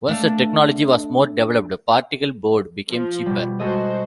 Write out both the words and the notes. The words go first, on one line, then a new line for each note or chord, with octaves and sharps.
Once the technology was more developed, particle board became cheaper.
A3 D4 F5
F3
B2 G3
G#3 F#4 A4 C5 D#5